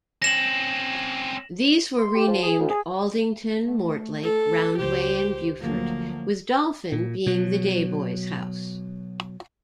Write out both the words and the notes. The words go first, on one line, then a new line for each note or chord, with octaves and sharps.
These were renamed Aldington, Mortlake, Roundway and Beaufort, with Dolphin being the day-boys house.
C4 C#4 A#6 E7 F#7
C6
G4
F3
G#4
D2
G#4
A3
A4
C#2 G4 C5
D2 F3 F#3 A#3
A#2
B2 F#3